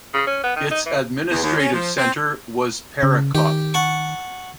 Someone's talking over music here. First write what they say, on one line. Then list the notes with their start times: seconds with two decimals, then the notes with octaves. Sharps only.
Its administrative centre was Perekop.
0.13 C#3
0.27 C#4
0.43 B3
0.56 D#3
0.71 D#4
0.86 E3
1.31 E2
1.43 D#2
1.59 C#4
1.73 F3
1.98 C4
3.03 C#3
3.35 D#3 G4
3.74 F#5 A5 C#6